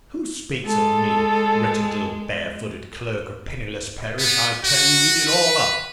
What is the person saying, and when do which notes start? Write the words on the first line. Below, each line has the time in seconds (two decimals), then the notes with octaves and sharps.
Who speaks of me? Wretched little barefooted clerk of Penniless Parish, I tell you, eat it all up!
0.66 G#3 A4
4.18 B3
4.64 F#4
5.27 B4